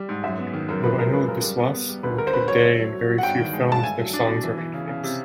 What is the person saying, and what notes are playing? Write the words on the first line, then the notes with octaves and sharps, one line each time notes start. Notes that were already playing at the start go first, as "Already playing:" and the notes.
Though Anil Biswas worked with Dey in very few films, their songs remain famous.
Already playing: G3
G#2
F#2 E5
B3
D#3
F#2 A#4
F3 B4
G#3 A#4
G#3 B4
C#3 A#4
G3
B3
B3
G3
D2 B4
D3 A#4
C5
D2 B4
F#3 C#5
A3
F#3
F#3
F#3
F#5
G2 G5
D#3
G#3
G2 A5
A3 G#5
F#3
D4
B2
E3
E3
C#3
C#3
C3